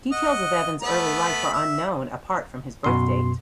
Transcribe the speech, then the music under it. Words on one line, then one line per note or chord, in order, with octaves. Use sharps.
Details of Evans' early life are unknown, apart from his birth date.
D#5 F#5
A3 B3 B5
E5
F#2 B2 C6